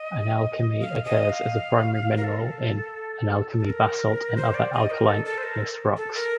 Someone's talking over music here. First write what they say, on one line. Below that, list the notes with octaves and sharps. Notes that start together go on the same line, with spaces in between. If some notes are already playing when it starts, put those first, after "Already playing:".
Analcime occurs as a primary mineral in analcime basalt and other alkaline igneous rocks.
Already playing: D#5
F5
D#5
F5
A#4
A4
A4
A#4
C5
D5
D#5
A#4
A4
A4
C5
A#4
A4
A#4